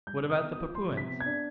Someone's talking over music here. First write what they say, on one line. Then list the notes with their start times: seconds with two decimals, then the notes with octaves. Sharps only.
"What about the Papuans?"
0.07 G3 G6
0.24 C3
0.30 D#6
0.41 B3
0.53 D#6
0.58 F4
0.75 F3 C6
0.92 C3
0.97 B6
1.09 B3
1.20 G#6
1.26 D4